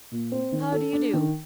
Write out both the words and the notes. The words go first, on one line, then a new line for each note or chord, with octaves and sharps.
How do you do?
A#2
C4
D#3
A4
D4
D#3